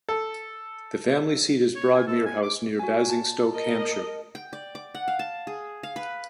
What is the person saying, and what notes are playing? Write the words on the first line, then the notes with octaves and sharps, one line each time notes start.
The family seat is Broadmere House, near Basingstoke, Hampshire.
A4
C#5
G#5
A4
G#5
D6
F#4 G#5
A5
A#4 D#5
G5
D5
D6
F#5
F5
A5
G#4
F5
B4